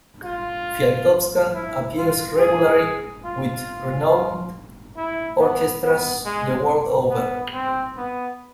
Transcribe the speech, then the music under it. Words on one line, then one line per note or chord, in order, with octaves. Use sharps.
Fialkowska appears regularly with renowned orchestras the world over.
F4
E4
F4
G#4
F4
E4
B3
B3
G#3
B3
C4
B3